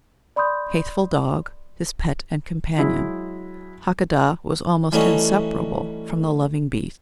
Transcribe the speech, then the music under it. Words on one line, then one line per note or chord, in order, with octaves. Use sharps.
His faithful dog, his pet and companion--Hakadah was almost inseparable from the loving beast.
D5 B5 C6 D#6 G6
F#3 G#3 E4
E3 G3 A3 C#4 D#4 F#4